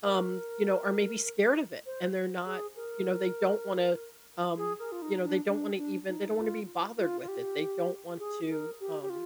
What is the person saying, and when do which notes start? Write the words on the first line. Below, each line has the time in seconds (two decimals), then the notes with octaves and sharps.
um, you know, are maybe scared of it and they're not, you know, they don't wanna, um, you know, they don't want to even they don't want to be bothered with it. They don't want to, um,
0.04 A#4
1.86 C5
2.46 G#4
2.76 A#4
4.57 G#4
4.79 A#4
4.92 F4
5.02 D#4
5.25 D4
5.48 D4
5.77 D4
6.07 D#4
6.38 F4
6.99 F4
7.21 F4
7.28 G4
8.19 G#4
8.49 A#4
8.80 G4
9.02 G4
9.10 F4